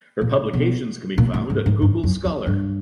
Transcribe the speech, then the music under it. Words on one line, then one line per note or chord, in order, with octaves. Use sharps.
Her publications can be found at Google Scholar.
A#2
B2
A#2
A2
G#2
G#2
G2
F#2
F2
G2